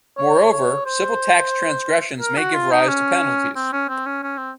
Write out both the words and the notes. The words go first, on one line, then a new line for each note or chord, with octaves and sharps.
Moreover, civil tax transgressions may give rise to penalties.
C#5
C#5
C5
A#4
F#4
F4
D#4
C#4
C4
C#4
C4
C#4
C#4
C4